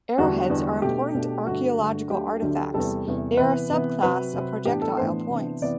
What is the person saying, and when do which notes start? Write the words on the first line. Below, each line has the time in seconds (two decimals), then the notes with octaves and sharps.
Arrowheads are important archaeological artifacts; they are a subclass of projectile points.
0.18 E2 D3 G3 D4 F#4
0.49 E2 D3 G3 D4
0.82 B2 A3 D4 G4
1.14 B2 A3 D4
1.45 G2 D3 A3 F#4
1.77 G2 D3 A3
2.10 D2 D3 F#3 A3 D4 G4
2.42 D2 D3 F#3 A3 D4
2.74 E2 C3 G3 A4
3.07 E2 C3 G3
3.37 C3 E3 B3 B4
3.70 C3 E3 B3
4.02 C3 F#3 C4 B4
4.34 C3 F#3 C4
4.65 A2 E3 B3 D4 G4
4.82 A4
4.97 A2 E3 B3 D4 C5
5.30 C3 E3 B3 D4
5.62 C3 E3 B3 D5